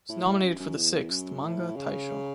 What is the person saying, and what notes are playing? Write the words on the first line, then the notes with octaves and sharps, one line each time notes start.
It was nominated for the sixth "Manga Taisho".
A2
F#2
F#2
E2
F#2
A2
C#3